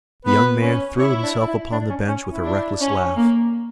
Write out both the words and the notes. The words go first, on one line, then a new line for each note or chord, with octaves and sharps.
The young man threw himself upon the bench with a reckless laugh.
B3 B4
C#4
E4 C#5
D4
E4
D4
C#4
C#4
E4
D4
C#4
A#3